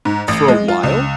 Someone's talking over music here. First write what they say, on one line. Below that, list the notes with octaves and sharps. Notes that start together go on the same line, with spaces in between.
for a while
G#2
A1
G#3
F4
C#2